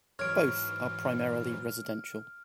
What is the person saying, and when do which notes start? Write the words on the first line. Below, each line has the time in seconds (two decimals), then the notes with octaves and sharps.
Both are primarily residential.
0.19 G#2 E3 F#3 C#5 F6 D7